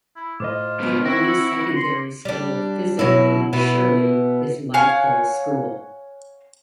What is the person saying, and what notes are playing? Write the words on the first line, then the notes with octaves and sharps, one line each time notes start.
The only secondary school physically in Shirley is Light Hall School.
E4
A2 F4 C5 D#5 D6
G#2 B2 B3
C4 E4 F#4 A#6
C#7 F#7
C6
G3 D4
B2 F#3 E4
B2 B3 E4
C#5 F5 F#5 G#5